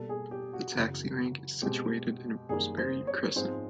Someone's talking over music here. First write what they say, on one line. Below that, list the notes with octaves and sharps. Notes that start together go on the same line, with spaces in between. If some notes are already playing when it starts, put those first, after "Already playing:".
The taxi rank is situated in Rosebery Crescent.
Already playing: B2 G3 A#3 A4
G#4
G4
F#4
F#2 C#3 E3
B2 G#3 C4 G4
F#2 D#3 G3 A#3 G#4
C5
C#5
G#2 F3 G#3 C4 C5